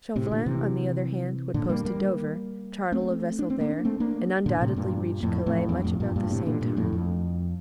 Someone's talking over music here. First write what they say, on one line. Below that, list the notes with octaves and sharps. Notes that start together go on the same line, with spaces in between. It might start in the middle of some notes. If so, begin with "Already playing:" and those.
Chauvelin, on the other hand, would post to Dover, charter a vessel there, and undoubtedly reach Calais much about the same time.
A2 C3
A#2 D3
C3 E3
A#2 D3
G3 A#3
G3 A#3
A3 C4
D4
C4
A#3 D4
A3 C4
A#3 D4
A#2 D3
A2 C3
G2 A#2
F2 A2
F2 A2
E2 G2
F2 A2
G2 A#2
G2 A#2
A2 C3
A#2 D3
G2 A#2
F2 A2
F2